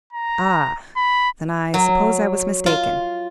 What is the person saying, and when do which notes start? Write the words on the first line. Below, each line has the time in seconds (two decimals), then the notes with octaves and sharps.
"Ah, then, I suppose I was mistaken."
0.13 A#5
0.96 B5
1.74 F#3
2.66 F4